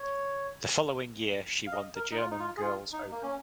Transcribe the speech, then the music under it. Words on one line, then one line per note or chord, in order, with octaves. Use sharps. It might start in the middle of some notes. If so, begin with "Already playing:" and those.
The following year she won the German Girls Open.
Already playing: C#5
F5
D#5
A#4
D#4
F4
D#4
F4
G#4
F4
D#4
A#3
C#4